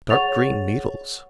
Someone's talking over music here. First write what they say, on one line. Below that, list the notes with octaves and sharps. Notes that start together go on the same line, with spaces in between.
Dark-green needles!
G#4 C#5 F#5 C#6 A6 F7